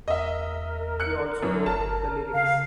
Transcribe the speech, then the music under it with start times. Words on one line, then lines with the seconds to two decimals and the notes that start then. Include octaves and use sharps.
He also wrote the lyrics.
0.08 E2 A#4 D#5 E5
1.00 F#6 C#7
1.43 F#2
1.66 G1 A5
2.34 C#3 F5